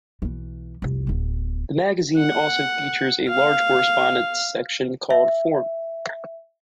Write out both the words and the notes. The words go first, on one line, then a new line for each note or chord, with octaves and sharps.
The magazine also features a large correspondence section called "Forum".
B1 E3
F1 C2
D1 B3
F#5
F5
E5